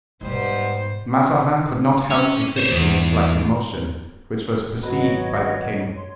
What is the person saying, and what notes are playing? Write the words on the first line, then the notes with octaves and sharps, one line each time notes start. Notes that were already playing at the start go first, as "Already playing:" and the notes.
Mazarin could not help exhibiting a slight emotion, which was perceived by the king.
G#2 B2 G3 B3 D#4 C5
C#4
C5 C#5
E2
G#1 F#3 F#4 B4 C#5 D#5
C#5 C6